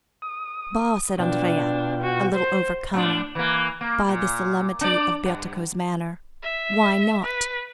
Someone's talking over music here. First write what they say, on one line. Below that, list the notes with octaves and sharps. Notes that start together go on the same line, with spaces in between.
"Bah," said Andrea, a little overcome, by the solemnity of Bertuccio's manner, "why not?"
D#6
B2 D4 F4 G5
F#4
C5
A2 D4
E3 A#3
A#3
A#2
D4 D5
G2
E5
B4